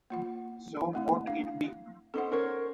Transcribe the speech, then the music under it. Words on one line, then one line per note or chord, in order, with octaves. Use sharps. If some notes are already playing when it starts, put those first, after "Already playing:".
So mote it be.
A#3 F4 F#5
A3 C4 E4
D4 F5
C#4 D#4 A4 C5 F#5
C#4 A#4 C5 C#5